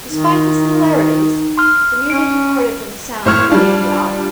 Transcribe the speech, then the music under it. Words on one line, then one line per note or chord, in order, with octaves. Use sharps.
Despite the similarities, the music departed from the sound of the debut album.
D#3 D#4
C6 F6
C#4 D7
G#1 A2 C5 C#6 F6 G#6
G3 D4 F4